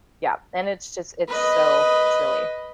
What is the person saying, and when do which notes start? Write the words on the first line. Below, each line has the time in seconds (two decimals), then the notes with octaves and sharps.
Yeah, and it's just it's so silly.
1.29 B4 D#5